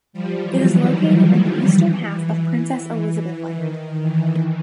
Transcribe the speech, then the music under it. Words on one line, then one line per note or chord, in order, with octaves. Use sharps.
It is located in the eastern half of Princess Elizabeth Land.
F3 G3
E3 F#3
D#3 F3
E3
D#3
E3